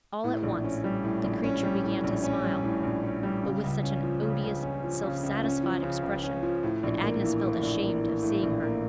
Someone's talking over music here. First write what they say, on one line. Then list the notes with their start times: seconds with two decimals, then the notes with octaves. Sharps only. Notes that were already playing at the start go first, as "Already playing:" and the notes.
All at once, the creature began to smile, but with such an odious, self-satisfied expression, that Agnes felt ashamed of seeing her.
0.24 A2
0.43 A#1
0.64 C#4
0.84 G3
1.04 A2
1.24 A#1
1.44 C#4
1.63 G3
1.83 A2
2.04 A#1
2.24 C#4
2.43 G3
2.63 A2
2.83 A#1
3.03 C#4
3.23 G3
3.43 C#3
3.64 C#2
3.83 C#4
4.03 F3
4.23 C#3
4.43 C#2
4.63 C#4
4.84 F3
5.03 C#3
5.23 C#2
5.43 C#4
5.63 F3
5.83 C#3
6.03 C#2
6.24 C#4
6.43 F3
6.63 A2
6.83 A#1
7.03 A#3
7.23 E3
7.43 A2
7.63 A#1
7.82 A#3
8.03 E3
8.22 A2
8.43 A#1
8.63 A#3